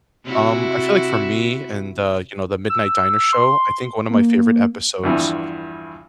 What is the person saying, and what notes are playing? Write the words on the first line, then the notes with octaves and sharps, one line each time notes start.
um, I feel like for me and the, you know, the Midnight Diner show, I think one of my favorite episodes,
C3 E4 F#4
E6
C6
A#3
E2 G2 E3 F3